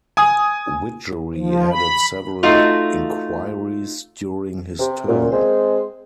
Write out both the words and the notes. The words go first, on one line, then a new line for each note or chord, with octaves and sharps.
Widgery headed several inquiries during his term.
G#5 D#6
F3
B5
A3 D#4 F4 F#4
C3
F#2 A#2
G#3 C4 G#4 C5